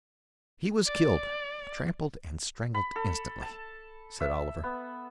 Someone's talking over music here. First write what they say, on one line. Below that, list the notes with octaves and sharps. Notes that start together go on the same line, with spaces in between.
"He was killed--trampled and strangled instantly," said Oliver.
D5
B5
A4
A5
E5
B3